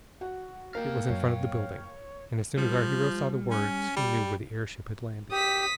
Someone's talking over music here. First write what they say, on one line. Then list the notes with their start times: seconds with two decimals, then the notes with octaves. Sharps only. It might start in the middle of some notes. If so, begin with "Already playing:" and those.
It was in front of the building, and as soon as our hero saw the words he knew where the airship had landed.
0.21 F#4 F#5
0.75 A#3 A#4 F5 G5
1.10 F#2 C#5
2.58 F3 G3
3.51 C#4
3.97 G3
5.32 G4 D#6 B6